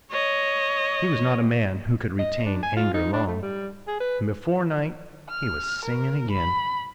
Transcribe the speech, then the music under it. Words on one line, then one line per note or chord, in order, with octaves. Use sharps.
He was not a man who could retain anger long, and before night he was singing again.
C#5 D#5
D#5
D4
G#5
F4
D#4
D4
A3
G3
G#4
B4
F6
A#4
B5